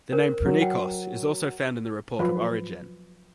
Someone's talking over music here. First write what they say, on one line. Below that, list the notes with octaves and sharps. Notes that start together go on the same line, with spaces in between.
The name Prunikos is also found in the report of Origen.
C#4 A#4 C5
F#3
F#5 G5
F3 F#3 B4